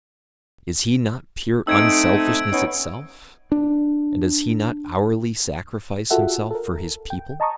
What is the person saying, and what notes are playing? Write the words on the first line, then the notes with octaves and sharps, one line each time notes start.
Is he not pure unselfishness itself, and does he not hourly sacrifice himself for his people?
A3 C4 D#4 E6 G#6 D7
B3 C#4 D#4
D4
F4 F#4 G#4 A4 E5 F#5
A4 A#4
G5
D#5 A5 A#5 C#6 D#6